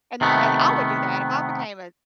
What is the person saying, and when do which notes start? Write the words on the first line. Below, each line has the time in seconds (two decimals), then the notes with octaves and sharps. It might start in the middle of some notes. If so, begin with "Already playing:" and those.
And and I would do that if I became a
0.21 C3 D#3 A3 B3